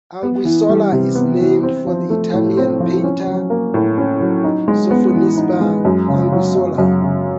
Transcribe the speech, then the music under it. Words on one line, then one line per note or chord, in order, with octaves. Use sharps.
Anguissola is named for the Italian painter Sofonisba Anguissola.
B3
E3
G3
C3
B3
E3
C4
F3
A3
A2
C4
F3
C#4
F#3
A#3
A2
C#4
F#3
D#4
G#3
B3
E3
D#4
G#3
F#2
C#3
F#3
F#2
F#2
C#3